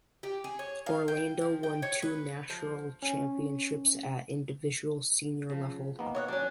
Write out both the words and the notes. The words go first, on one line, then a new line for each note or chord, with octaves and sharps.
Orlando won two national championships at individual senior level.
G4
G#4
C#5
F5
G5
F3
G5
C#5
B4
F3
C#4
C#3 F3
D#3 A#3 B3
C#5 D#5 F#5
F#3 C#4 D4